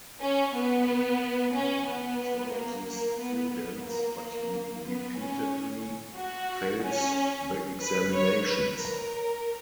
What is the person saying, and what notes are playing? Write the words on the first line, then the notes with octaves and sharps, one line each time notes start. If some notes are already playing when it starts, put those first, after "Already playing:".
Kong Yiji is one of these students, but he repeatedly fails the examinations.
C#4
B3
C#4
B3
A#3
A#3
B3
B3
A#3
B3
C#4
F#4
C#4
B4
C#5
B4
A#4